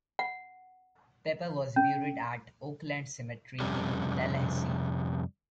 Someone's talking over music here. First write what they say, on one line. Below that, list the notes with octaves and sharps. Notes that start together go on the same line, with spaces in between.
Pepper was buried at Oakland Cemetery in Tallahassee.
F#5
C#4
F2 C3 G3 C#4